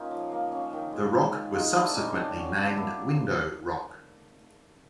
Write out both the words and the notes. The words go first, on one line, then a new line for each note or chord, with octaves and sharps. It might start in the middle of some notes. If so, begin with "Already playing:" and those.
The rock was subsequently named Window Rock.
Already playing: A#3 C#4 D#4 F4
F3
A#3
C#4
D#3
G#3
G#3
D#3
G#3 D#4 F4
C4 D4 E4
C4 C#4 D#4
D#3 D4
F#3 C#4
F#3 D4
A#3 D4 E4